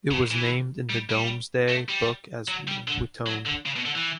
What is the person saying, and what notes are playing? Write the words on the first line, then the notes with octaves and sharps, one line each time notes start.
It was named in the Domesday Book as Witone.
C#3
E3
G3
G3
A3
G3
F#3
G3
D3
F#3
D3
C#3
B2
D3
E3